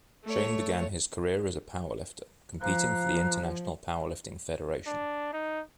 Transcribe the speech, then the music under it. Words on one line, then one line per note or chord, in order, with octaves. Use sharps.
Shane began his career as a powerlifter, competing for the International Powerlifting Federation.
A3 C#5
F3 F5 A#5 F#6
D4
D#4